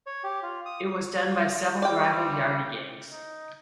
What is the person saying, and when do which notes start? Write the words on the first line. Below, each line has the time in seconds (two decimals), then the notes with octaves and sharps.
It was done by several rival yardie gangs.
0.06 C#5
0.24 G4
0.43 F4
0.66 D#6
1.82 G3 D5 G5
3.11 D#4